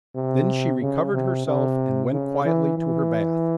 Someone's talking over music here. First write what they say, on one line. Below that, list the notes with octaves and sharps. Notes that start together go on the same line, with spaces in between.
Then she recovered herself and went quietly to her bath.
C3
C#3
C3
C3
C#3
E3
E3